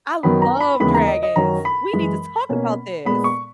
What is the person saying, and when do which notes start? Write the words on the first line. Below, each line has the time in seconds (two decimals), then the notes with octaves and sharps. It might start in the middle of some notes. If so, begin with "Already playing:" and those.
I love dragons. We need to talk about this.
0.23 F#2 D#3 F#3 B3 B5
0.42 A#5
0.60 B5
0.80 D#2 C#3 E3 G#3 B3 B5
0.95 A#5
1.08 D#5
1.23 D#5
1.36 F#2 D#3 F#3 C#4 A#5
1.65 B5
1.93 F#2 E3 G#3
2.49 B2 A#3 C#4
3.05 A#2 G#3 B3 B5
3.24 C#6